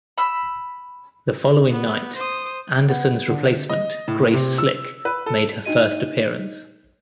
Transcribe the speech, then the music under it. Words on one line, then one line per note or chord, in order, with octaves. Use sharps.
The following night, Anderson's replacement Grace Slick made her first appearance.
B5 E6
B3
C5 D#6
B3
D3
D#5
A2
C3
E6
B4
A4
D4 D#4 F#4 D#5 D#7